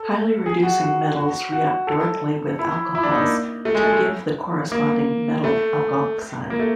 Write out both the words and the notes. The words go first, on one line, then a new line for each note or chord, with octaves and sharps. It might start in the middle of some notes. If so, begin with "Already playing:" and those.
Highly reducing metals react directly with alcohols to give the corresponding metal alkoxide.
Already playing: A4
G#4
F#4
F#4
F#4
F#4
A4
E4
E4
D4
D#4
A#3
A3
G#3
A3
G#3
A#3
A3
A#3
A3